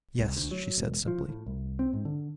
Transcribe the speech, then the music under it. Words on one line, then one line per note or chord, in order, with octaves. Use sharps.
"Yes," she said simply.
C2
D2
F#3
E1
F3
A2
C2
C4
G#2
D3